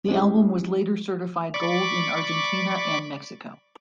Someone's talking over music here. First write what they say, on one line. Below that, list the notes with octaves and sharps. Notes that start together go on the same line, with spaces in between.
The album was later certified Gold in Argentina and Mexico.
G#3 C4 C#4 E4 G4
D5 B5 C#6 D6